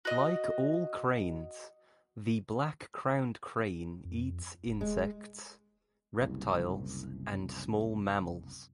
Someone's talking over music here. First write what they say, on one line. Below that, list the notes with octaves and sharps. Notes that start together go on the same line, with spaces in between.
Like all cranes, the black crowned crane eats insects, reptiles, and small mammals.
F#4 D#5
F2
D#1
G#3
F#1 C2